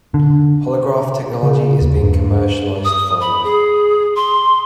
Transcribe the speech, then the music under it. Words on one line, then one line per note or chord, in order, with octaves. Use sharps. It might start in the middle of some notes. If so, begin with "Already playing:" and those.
Holograph technology is being commercialized finally.
D3
C#3
D#2
G2
D#6
B5
G#4
C6